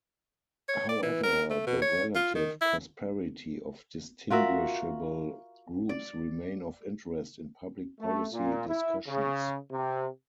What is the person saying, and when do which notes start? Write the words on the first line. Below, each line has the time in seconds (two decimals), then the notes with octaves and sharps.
However the relative prosperity of distinguishable groups remain of interest in public policy discussions.
0.68 C#5
0.89 D5
1.03 E3
1.23 A#4
1.50 A3
1.67 B2
1.82 C#5
2.15 F4
2.35 D#3
2.61 E4
4.30 F4 F#4 A#4 E5
5.89 D5
8.00 A3
8.33 A#2
8.68 E4
9.07 C#3
9.72 C3